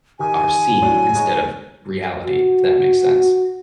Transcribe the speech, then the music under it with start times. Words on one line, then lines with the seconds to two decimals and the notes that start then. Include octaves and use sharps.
are seeing instead of reality, if that makes sense,
0.19 D#3 G4 G#5
0.82 A2 F#3 D4
1.15 G#3 D#4 C#5
2.24 F#4